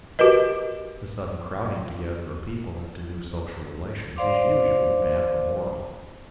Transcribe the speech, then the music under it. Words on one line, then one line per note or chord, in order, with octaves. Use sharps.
The sudden crowding together of people into new social relations is usually bad for morals.
F#4 G4 A#4 B4 D#5
C5 D5 F5 C6 D6